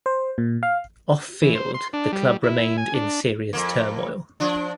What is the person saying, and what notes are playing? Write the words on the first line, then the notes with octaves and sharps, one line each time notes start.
Off field, the club remained in serious turmoil.
C5
A#2
F5
E3
C5
C6
D4
G3
E4
G#5
D4
F2 A#3
F3 D4